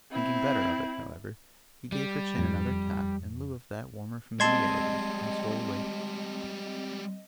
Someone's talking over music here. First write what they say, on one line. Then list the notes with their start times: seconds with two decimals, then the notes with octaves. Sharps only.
Thinking better of it, however, he gave her chin another tap, in lieu of that warmer familiarity, and stole away to bed.
0.11 C4 E4
1.92 G3
2.38 F2
4.40 G3 G#3 C4 D#5 A5 C6 G#6